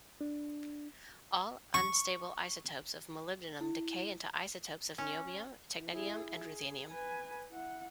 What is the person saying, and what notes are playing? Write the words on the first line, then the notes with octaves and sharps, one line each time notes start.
All unstable isotopes of molybdenum decay into isotopes of niobium, technetium, and ruthenium.
D4
C#6
E4
C#4
E4 G#4
G#4
B4 G#5
E4 F#5